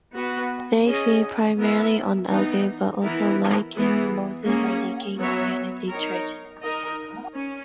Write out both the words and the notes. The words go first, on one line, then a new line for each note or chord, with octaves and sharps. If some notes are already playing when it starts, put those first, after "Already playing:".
They feed primarily on algae, but also lichens, mosses, or decaying organic detritus.
B3 F#4 B4
C#4 G#4 D#5
B3 E4 A#4 E5
E3 B3 D#4
E3 B3 E4 A#4
E3 B3 E4 G#4
A#3 C#4 G#4
F#3 B3 F#4 C#5 E5
D#4 A#4 C#5
D#4 A#4 D#5
C#4